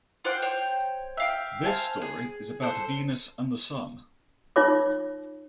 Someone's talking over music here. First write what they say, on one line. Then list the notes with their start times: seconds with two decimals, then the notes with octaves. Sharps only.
This story is about Venus and the Sun.
0.25 F4 C5 F#5 G5
0.42 C5 C#5 G5
1.17 E5 F5 G5
1.66 C5 F5 G#5 A5
2.02 G#4
2.62 A4 C5
4.56 D#4 F4 C#5 D6